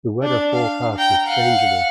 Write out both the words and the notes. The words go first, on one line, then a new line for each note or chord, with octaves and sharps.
The weather forecast is changeable.
D4 D5
F5
G5 A#5
F5 F#5